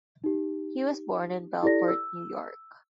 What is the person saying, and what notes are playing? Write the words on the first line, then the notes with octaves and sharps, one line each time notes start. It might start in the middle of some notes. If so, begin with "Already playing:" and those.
He was born in Bellport, New York.
D#4 G4
E4 G4 A4 D5 A#6
E6